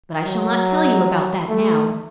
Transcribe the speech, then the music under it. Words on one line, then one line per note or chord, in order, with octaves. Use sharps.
But I shall not tell you about that now.
F#3
A3